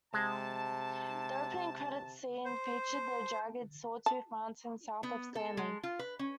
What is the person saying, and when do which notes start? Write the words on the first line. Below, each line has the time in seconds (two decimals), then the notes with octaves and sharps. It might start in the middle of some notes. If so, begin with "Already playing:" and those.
The opening credits scene featured the jagged Sawtooth Mountains south of Stanley.
0.14 C3 G#3 A5
2.45 C5
4.06 A5
5.03 B3
5.35 A4
5.57 G#3
5.83 F4
5.99 B4
6.19 C#4